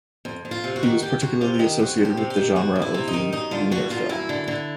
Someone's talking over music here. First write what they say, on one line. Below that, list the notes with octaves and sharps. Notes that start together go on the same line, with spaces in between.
He was particularly associated with the genre of the "Wiener Film".
F2
F2
F4
C3
F#4
D#3
F2 G4
F2 F#4
C3 F4
D#3 G4
F2 F#4
F2
G4
C3
G4
D#3
F2 F#4
F2
E4
C3
D#4
D#3
F#2 D#4
D3 F4
D3 F#4
F#2 F4
F#2 E4
D3
D3